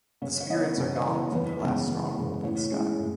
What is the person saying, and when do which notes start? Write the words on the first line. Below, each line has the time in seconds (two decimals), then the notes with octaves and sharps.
The spirits are gone from their last stronghold in the sky.
0.22 C#3 C#5
0.40 C#5
0.50 E3 B3 D#5
0.59 C#5
0.77 C#3
0.95 D#5
1.05 E3 B3
1.14 C#5
1.32 E2 B4
1.60 C#3 G#3 B3
1.88 E2
2.15 C#3 G#3 B3
2.43 A2 C#5
2.71 G#3 C#4 E4
2.99 A2